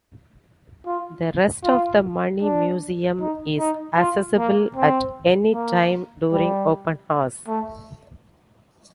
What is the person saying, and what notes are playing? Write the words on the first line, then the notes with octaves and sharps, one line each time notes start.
The rest of the Money Museum is accessible at any time during open hours.
F4
F4
D4
D#4
D#4
F4
A#3
C4
A#3
G3
A3